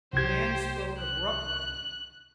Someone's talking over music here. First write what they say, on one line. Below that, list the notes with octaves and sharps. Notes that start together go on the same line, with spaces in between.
The man spoke abruptly.
C2 G4 C5 G#6
F#6